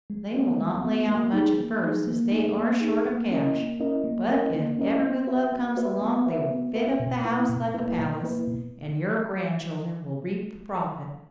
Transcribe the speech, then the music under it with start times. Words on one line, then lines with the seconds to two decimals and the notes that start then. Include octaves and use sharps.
They will not lay out much at first as they are short of cash but if ever good luck comes along they will fit up the house like a pallis and your granchildren will reep the proffit.
0.10 G#3
0.34 B3 F#4
0.59 G#3
0.83 B3 F#4
1.09 A#3
1.33 D#4 G#4
1.58 A#3
1.82 D#4 G#4
2.07 A#3
2.32 D#4 G#4
2.56 A#3
2.81 D#4 G#4
3.06 A#3
3.30 C#4 E4 A#4 D#5
3.55 A#3
3.80 C#4 E4 A#4 D#5
4.04 A#3
4.29 C#4 E4 A#4 D#5
4.54 A#3
4.78 C#4 E4 A#4 D#5
5.03 B3
5.27 F#4 B4 E5
5.52 B3
5.77 F#4 B4 E5
6.01 B3
6.26 F#4 B4 E5
6.51 B3
6.75 F#4 B4 E5
7.00 B2
7.25 A#3 E4 B4
7.49 B2
7.74 A#3 E4 B4
7.99 B2
8.23 A#3 E4 B4
8.47 B2